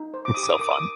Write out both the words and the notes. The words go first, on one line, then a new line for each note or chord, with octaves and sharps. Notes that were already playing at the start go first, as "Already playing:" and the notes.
It's so fun.
Already playing: D#4
C5
D6
G4 D#6
D6
D#6
A#4 D6
D#6
D6